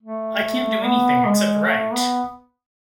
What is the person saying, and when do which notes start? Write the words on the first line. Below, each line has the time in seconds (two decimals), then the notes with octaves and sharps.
I can't do anything, except write.
0.03 A3
0.84 B3
1.26 G#3
1.67 A3
1.94 B3